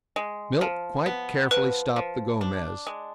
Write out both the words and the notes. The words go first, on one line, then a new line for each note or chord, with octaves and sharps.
Milt quite carefully stopped the Gomez.
G#3
F3
B3
F3 B4
F3
D4
G#3